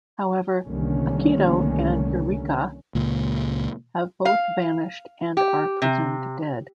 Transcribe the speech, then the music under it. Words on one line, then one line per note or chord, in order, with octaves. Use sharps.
However, Akito and Yurika have both vanished and are presumed dead.
C2 D3 D#3 A3 A#3 C#4
C#2 A#2
F5
G4
C3